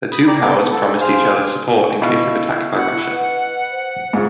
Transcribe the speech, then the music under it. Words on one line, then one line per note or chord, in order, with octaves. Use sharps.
The two powers promised each other support in case of attack by Russia.
B5 D#6
G4 D5 A#5
B3 A4 D6
B3
A4
G#4 C5 F5
B2 E4 F5
F#5
B4
C5
G#2 C#3 F4